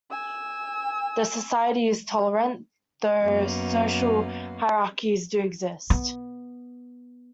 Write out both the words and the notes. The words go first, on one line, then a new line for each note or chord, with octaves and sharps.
The society is tolerant, though social hierarchies do exist.
G#5 E6
F#2 A#3 B3
B3